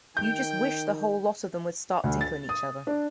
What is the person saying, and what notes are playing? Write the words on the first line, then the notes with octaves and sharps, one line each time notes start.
You just wish the whole lot of them would start tickling each other.
D#3 G5 G6
D2
A6
D#6
D4